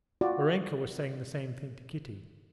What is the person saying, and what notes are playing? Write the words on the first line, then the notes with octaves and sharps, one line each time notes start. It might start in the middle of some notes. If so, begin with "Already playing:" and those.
Varenka was saying the same thing to Kitty.
F4 F#4 D5